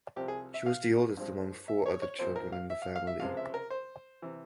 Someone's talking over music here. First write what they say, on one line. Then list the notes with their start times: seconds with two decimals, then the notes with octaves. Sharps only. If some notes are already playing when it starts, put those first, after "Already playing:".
She was the oldest among four other children in the family.
0.16 C2 C3 F3 G4
0.28 G#4
0.54 E5
0.66 F5
1.17 G2 F3 G#3 C4
1.68 E5
1.86 C#5
2.02 C#5
2.18 A#1 A#2 F3 C4 C5
2.36 A#4
2.52 F5
2.70 E5
2.82 F5
2.96 F5
3.07 E5
3.20 C#2 C3 F3 G#3 C4 F5
3.37 E5
3.54 A#4
3.70 C5
4.22 C3 E3